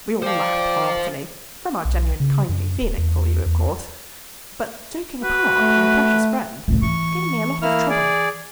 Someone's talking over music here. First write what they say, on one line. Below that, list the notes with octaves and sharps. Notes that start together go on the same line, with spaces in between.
We all laughed heartily--from our genuine kindly feeling for you, of course--but, joking apart, my precious friend, you have given me a lot of trouble.
C5 D5 F5 G5 D6
B1
C#3
F#2
D1
E2
E2
F#4 B4
A3
A2 D3
E3 C#6
A#3 E4 F6
G#4 D5